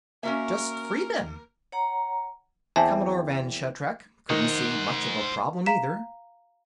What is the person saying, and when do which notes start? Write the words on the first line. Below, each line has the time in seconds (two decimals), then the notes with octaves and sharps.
Just free them. Commodore Vann Shatrak couldn't see much of a problem, either.
0.23 A#3 C#4 F#4 A#4 E5
1.72 C#5 F#5 A#5
2.76 E2 C4 E5 G#5 A5
4.30 D#3 C5 F#5
5.66 F5 A#5 B6 E7